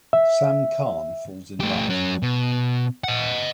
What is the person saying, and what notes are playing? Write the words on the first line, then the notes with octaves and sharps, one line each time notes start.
Sam Carne falls in love.
E5
A3 G4
F#3 C#4
B2
D#5 F#5